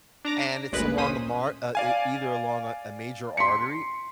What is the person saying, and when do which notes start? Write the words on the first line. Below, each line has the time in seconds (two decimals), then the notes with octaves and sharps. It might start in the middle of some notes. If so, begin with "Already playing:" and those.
And it's along a mar uh, e either along a a major artery
0.25 D4 A#5 D6 A#6
0.72 G1 D2 A#2 G#3 B4 F#6
0.97 A#1 C#4 C5 D#6 B6 D#7
1.75 D5 F5 G#5
3.37 C6 B6 C#7